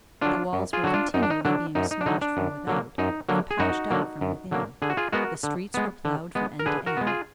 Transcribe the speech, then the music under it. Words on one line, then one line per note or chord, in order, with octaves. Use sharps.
The walls were continually being smashed from without and patched up from within. The streets were ploughed from end to end.
D3 F#3 D4 F4
F#2
F4 G#4
D3 F#3 F#4
D4 F4
F#2 D#4
D4
D#4
D3 F#3 D4
F#2 D#4
D#4
D4
D3 F#3 D#4
D4
F#2
D3 F#3 A#3
F#2 D#4
D3 F#3 A#3
G#4
F#2 D#4 F#4
D3 F#3 A#3
F#2
D3 F#3 A#3
D3 G#4
F#4
F4 G#4
G#3 B3 F#4 A#4
D3
G#3 B3
D3
G#3 B3
A#4
D3 G#4 B4
F#4 A#4
G#3 B3
F4 G#4